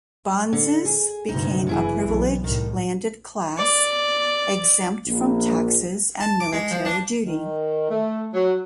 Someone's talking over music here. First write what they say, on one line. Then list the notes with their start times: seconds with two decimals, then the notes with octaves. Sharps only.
Bonzes became a privileged landed class, exempt from taxes and military duty.
0.53 D3
0.85 G#4
1.29 D2 G2 C3 D#4
1.67 F#1 C#3 E3 E4 G#4
2.06 B1
2.44 C2 A2 D#3
3.58 D5
5.07 A#1
6.21 A5
6.40 D6
6.53 G#3
6.71 F3
6.85 D4
7.25 D#3
7.90 A3
8.33 F#3